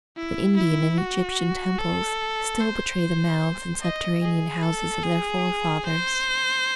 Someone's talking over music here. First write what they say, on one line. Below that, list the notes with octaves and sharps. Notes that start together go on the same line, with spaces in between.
The Indian and Egyptian temples still betray the mounds and subterranean houses of their forefathers.
E4
E4
F#4
A4
C5
D#5
G#4
A4
G#4
C5